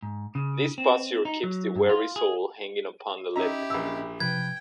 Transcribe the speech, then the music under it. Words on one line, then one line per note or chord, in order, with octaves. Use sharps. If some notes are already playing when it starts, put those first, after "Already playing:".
This posture keeps the weary soul hanging upon the lip.
G#2
C#3
C4
D#4
F#3
G2
F4
G#4
C#4 D#4 E4 G4 D#5 E5 A#5
A#1 E6
C3 F3 B4 G5 G#6